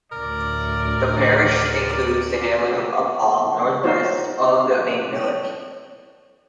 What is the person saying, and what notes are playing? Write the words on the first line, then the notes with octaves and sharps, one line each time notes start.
The parish includes the hamlet of Uphall northwest of the main village.
D2 A2 A#4 D5
D#4 F4 F#4 C5 C#5